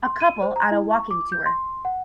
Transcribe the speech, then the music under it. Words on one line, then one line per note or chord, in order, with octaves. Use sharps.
A couple on a walking tour.
C6
D#7
C5
A#5
E4
C#6
D6
G6
C6
F#5